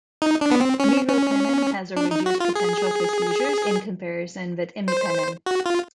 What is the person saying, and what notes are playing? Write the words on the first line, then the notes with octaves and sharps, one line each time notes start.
Meropenem has a reduced potential for seizures in comparison with imipenem.
D#4
D4
B3
C4
C#4
C#4
D4
D#4
F#4
F4
G#4
C5
F#4
F4